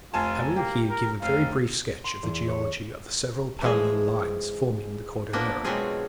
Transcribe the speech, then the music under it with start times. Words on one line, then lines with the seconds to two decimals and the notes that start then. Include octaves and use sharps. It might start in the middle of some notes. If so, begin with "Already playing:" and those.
I will here give a very brief sketch of the geology of the several parallel lines forming the Cordillera.
0.14 F1 F4 G#5 A5
0.56 A#3 G4
0.90 A#4
1.22 F1 F5
2.04 C6
2.23 E2
2.48 C#5
3.61 E3 F3 G#3 G#4
5.33 F3 A#3 B3 D4 A#4
5.64 B2 F#3 G#3 C4 F4 G#4